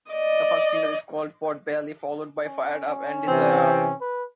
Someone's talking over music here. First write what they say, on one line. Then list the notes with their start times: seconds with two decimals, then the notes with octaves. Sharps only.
The first single is called "Pot Belly" followed by "Fired Up" and "Desire".
0.11 D5 D#5
2.44 C#4
2.86 C#4
3.28 C3 E3 C4
4.01 B4